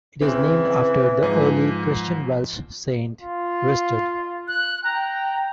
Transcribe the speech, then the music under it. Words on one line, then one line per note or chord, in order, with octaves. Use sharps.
It is named after the early Christian Welsh saint Rhystud.
C#3 E3 C4
G#2 F3 G#5
F4
F#6
G5 A#5